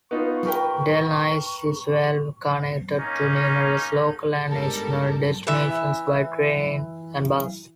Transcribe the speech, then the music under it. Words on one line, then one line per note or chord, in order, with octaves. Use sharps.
Delnice is well connected to numerous local and national destinations by train and bus.
B3 D#4 F4 C#6
A#4 B4 G5
A#3 C#4 D#4
G1 G#2 G3 A4 A#4
E3 E5